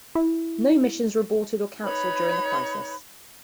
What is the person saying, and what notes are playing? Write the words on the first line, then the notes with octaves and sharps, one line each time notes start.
No missions were aborted or canceled during the crisis.
E4
D#4 B4 C#5 B5